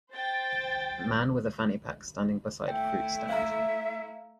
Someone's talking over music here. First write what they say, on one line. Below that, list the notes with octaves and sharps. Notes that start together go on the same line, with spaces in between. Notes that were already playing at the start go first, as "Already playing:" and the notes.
Man with a fanny pack standing beside fruit stand.
C5 G5 A6
A3 E4 G5
E5 F5 A#5